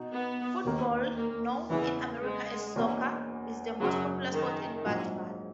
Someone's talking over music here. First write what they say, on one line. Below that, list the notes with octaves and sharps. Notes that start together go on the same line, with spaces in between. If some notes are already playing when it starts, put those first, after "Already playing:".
Football, known in America as soccer, is the most popular sport in Batman.
Already playing: B2 D#4 F#4
B3
E1 D#2 D#3 A#3
A#3
E2 C#3 E3 G#3
G#3
E1 E2 B2 A#3
F#2 C#3 F#3 G#3
D#3
A#1 G#2 F#3